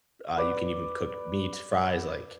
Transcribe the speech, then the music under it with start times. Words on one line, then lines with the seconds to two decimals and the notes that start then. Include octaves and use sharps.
uh, you can even cook meat, fries, like
0.38 B4 D5